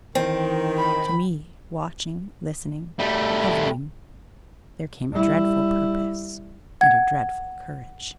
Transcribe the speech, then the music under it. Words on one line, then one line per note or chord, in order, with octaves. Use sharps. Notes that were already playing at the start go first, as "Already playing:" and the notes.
To me, watching, listening, hovering, there came a dreadful purpose and a dreadful courage.
D#3 E3 C4
B5
G3 A3
G3 E4
F#5 G#6